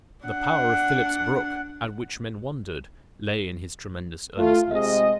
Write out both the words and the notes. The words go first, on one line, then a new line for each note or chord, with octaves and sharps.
The power of Phillips Brooks, at which men wondered, lay in his tremendous earnestness.
D4 F#5
A3 F4
C3 G#3 D#5